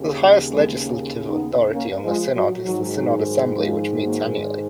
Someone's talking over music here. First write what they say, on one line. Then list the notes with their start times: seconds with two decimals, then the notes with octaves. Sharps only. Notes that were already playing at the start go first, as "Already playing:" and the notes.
The highest legislative authority of the synod is the Synod Assembly, which meets annually.
Already playing: D#2 C#3
0.50 G#3 B3
0.82 A#3 C#4
1.27 B3 D#4
1.73 A#3 C#4
2.03 F3 G#3
2.35 F#3
2.65 G#2 D#3 F#3
2.96 F#3
3.27 F#3
3.56 F3 G#3
4.03 F#3 A#3